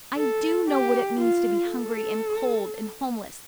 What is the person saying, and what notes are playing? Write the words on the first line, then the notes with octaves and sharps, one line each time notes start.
I do know what it means to be hungry and cold and homeless.
A4
G4
F4
A4